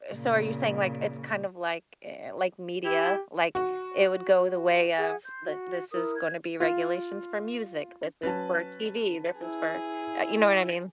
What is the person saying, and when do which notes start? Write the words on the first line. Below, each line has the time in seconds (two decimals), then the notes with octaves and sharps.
eh, so are you saying, like, it's kind of like eh, like media, like, it would go the way of, "Th this is gonna be regulations for music, this is for TV, this is for" Uh, you know what I mean?
0.14 A#2 C#3
2.85 E4 G4
3.55 F#4
4.97 G#4 E5 F#5
5.25 C6 G6
5.44 F#4
5.92 E4 A#4 D#6 E6
6.16 F#6 G#6
6.60 F4
8.23 F#3 C#4 B4 A5
9.40 E4 G#4